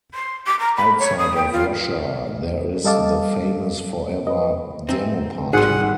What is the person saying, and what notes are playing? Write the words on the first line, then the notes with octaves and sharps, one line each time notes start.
Outside of Russia there is the famous Forever demoparty.
C6
D6
A#5
B5
C#5
D#6
G5
F4
G3 A4 D#5 F5 A5 D6
B4 D#5
C4 D#4 E5 G5 G#5
G#1 G3 D#4 G#4 F#5 G#5 C6